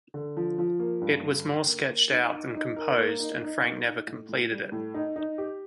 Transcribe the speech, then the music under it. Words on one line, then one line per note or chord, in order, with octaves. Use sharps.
It was more sketched out than composed and Franck never completed it.
D3
F3
F3
A#3
G2
D3
D3
A#3
A#3
D#4
D#4
D#4
A#4
A#3
D#4
D#4
A#3
D#4
A2
A2
G3
A2
D#4
D#4
G4